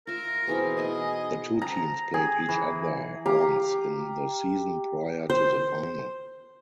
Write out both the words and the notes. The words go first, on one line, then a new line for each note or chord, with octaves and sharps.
The two teams played each other once in the season prior to the final.
F4 A#4 E5
B2 E3 C4 G#4
D#4 B4 D#5 G#5
A#5
G#4
E3
G4 F5 A#5
C5